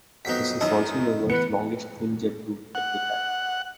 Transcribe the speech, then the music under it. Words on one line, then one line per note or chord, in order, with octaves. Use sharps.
This was also the world's longest twin-jet route at the time.
F2 F#3 B3 D#4 B6
F#2 D#4 E4 C#5 D#5
E3 B3 B4 C#7
F#5